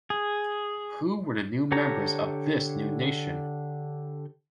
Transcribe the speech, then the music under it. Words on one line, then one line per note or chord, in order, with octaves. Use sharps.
Who were the new members of this new nation?
G#4
D3 G4 A4 C#5 A#5